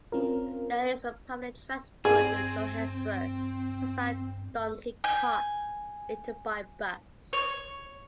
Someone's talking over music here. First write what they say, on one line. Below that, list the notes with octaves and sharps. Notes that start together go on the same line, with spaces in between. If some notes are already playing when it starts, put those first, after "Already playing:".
The earliest public transport into Johannesburg was by donkey cart, later by bus.
C4 C#4 F4 A#4
G2 C4 G#4
G#5 G6
C#5